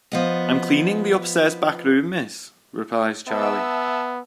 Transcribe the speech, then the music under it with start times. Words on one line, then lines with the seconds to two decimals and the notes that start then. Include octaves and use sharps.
"I'm cleaning the upstairs back room, miss," replies Charley.
0.12 F3 B3 D#5
3.27 B3 E5 A5 E6